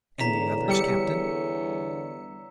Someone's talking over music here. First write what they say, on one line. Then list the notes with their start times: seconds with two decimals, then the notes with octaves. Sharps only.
"And the others, captain?"
0.21 E2 D3 C#5 A#5 B6 E7
0.68 G3 E6 C#7